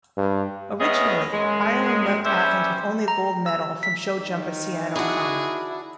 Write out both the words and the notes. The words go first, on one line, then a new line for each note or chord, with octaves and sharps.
Originally, Ireland left Athens with only a gold medal from show jumper Cian O'Connor.
G2
E2 A2 B3 C#4 G#4 D#5
F#2 G#3
G3 C#4 B4 C5 D5 E5
A#5
E6
B6
D#3
D4 E4 F#4 G#4